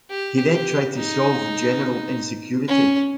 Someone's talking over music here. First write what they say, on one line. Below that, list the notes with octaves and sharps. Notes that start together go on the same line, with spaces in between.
He then tried to solve the general insecurity.
G4
G4
D#4
C#4